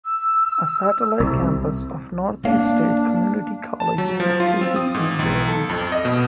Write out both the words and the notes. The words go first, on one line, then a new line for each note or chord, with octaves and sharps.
A Satellite campus of Northeast State Community College is located in Gray.
E6
C2
A#3 D4 F5
A5
F#3
F3
F4
C4
D#6
G#2
B1
A4
F2
D#5
B2